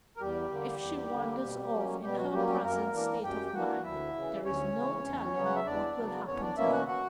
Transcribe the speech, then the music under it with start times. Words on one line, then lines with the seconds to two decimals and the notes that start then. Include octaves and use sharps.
"If she wanders off in her present state of mind there is no telling what will happen to her."
0.17 A#4
0.21 E2 G3 G4
0.51 D3 A#3
0.82 E2
1.12 D3 A#3
1.42 B2
1.73 F#3 A#3 C#4
2.02 B2 G3 G4
2.18 F#3 F#4
2.29 F#4
2.33 F#3 G3 A#3 C#4 G4
2.48 G3 G4
2.63 F#2 A#3 A#4
2.93 E3 A#3 D4
3.24 F#2 G4 G5
3.46 G5
3.54 E3 A#3 D4 F#4 F#5
3.84 D2 E4 E5
4.15 C#3 E3
4.45 D2 C#4 C#5
4.76 C#3 E3
5.06 E2
5.36 C#3 F#3 B3
5.45 F#5
5.56 E5
5.66 E2 D4 D5
5.97 C#3 F#3 B3
6.27 E2 C#4 C#5
6.42 D4 D5
6.57 B2 A#3 C#4 E4 E5
6.72 F#4 F#5
6.87 F#4 F#5